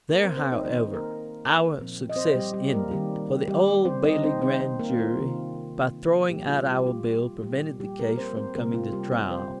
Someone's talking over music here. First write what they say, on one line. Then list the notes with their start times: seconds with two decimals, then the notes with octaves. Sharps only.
There, however, our success ended, for the Old Bailey Grand jury by throwing out our bill prevented the case from coming to trial.
0.09 A#3 A#4
0.23 C4 C5
0.37 C4 C5
0.52 D#4 D#5
0.66 D#3 A#3 C4 C5
0.94 A#3 A#4
1.79 A#2 F3 C4
2.10 D#5
2.16 C4 C5
2.35 G3 G4
2.54 G3 G4
2.73 A#3 A#4
2.91 D#3 G3 C4 G4
3.48 G3 G4
3.85 C4 C5
4.04 D#3 C4 D#4 D#5
4.23 C4 C5
4.41 C4 C5
4.60 C4 C5
4.79 A#3 A#4
4.98 F4
5.17 C3 D#3 C4
6.29 A#2 F3 G3 A#3 G4
6.49 F4
6.67 G3 G4
6.87 F4
7.42 A#2 F3 G3 A#3 G4
7.80 G3 G4
7.99 A#3 A#4
8.18 C4 C5
8.37 C4 C5
8.55 C3 G3 A#3 C4 A#4
8.74 F4
8.93 G3 G4
9.12 C4 C5
9.31 C4 C5